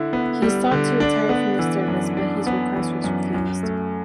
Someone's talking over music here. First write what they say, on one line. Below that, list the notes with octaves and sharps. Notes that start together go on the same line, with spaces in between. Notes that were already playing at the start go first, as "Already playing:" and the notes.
He sought to retire from the service but his request was refused.
Already playing: D3 E4
B3
G3
D3
D4
B3
E3
F#2
D4
B3
E3
F#2
F#2
A3